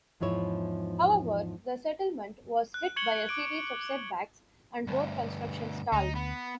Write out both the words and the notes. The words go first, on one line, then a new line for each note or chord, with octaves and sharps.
However, the settlement was hit by a series of setbacks and road construction stalled.
E2 G#2 F3 E4 C#5
F#6
C#6 G#6 C#7 F#7 G7
D6 D7
D2 G2
D2 D#4
B3